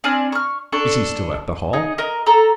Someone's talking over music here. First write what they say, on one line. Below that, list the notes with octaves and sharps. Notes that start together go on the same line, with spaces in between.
"Is he still at the Hall?"
C4 D4 G#5 F6
C#6 F6
D4 A4 C#6
D#4 G#4 D#5
A#4 D#5
A4 A#5 E6